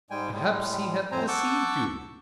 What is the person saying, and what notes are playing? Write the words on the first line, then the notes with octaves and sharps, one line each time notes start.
Perhaps he hath deceived you.
G#2 G3 G#3 G5 G#5
A2 G3 G#3
F2 A2 C4 C5 G#5 A#5
F#5 A5 C#6 D6 E6 G6